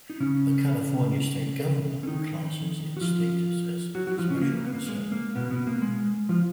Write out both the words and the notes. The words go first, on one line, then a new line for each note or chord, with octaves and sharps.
The California State Government classes its status as "Special Concern".
D#4
C#3 C#4
C#4
D#3 D#4
F#4
F3 F4
F#3 F#4
F#3 F#4
F3 F4
C#3 C#4
A#3
A#3
B3
A#3
G#3
A#3
B2 B3
B2 B3
A#3
G#3
F3 F4